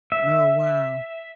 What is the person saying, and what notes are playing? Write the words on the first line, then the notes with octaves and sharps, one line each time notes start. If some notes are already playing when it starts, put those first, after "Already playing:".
Oh, wow.
E5